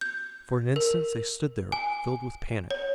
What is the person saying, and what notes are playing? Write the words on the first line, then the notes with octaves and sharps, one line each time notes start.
For an instant they stood there, filled with panic.
G6
A#4
G#5
C#5